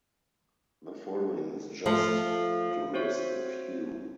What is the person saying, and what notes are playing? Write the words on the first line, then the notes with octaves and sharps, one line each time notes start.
The following is just to list a few.
F3 A3
C4 F#4 C5 C#5 E5